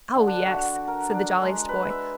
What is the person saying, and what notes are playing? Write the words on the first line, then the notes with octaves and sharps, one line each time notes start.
"Oh, yes," said the jolliest boy.
D3
D4
F#4
A#4
D4
G#3
B4
E5